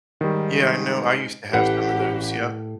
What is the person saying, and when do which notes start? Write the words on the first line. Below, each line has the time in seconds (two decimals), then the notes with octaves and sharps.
Yeah, I know, I used to have some of those, yup.
0.21 G#2 D#3 G3
1.54 A1 A2 G4 B4 F#5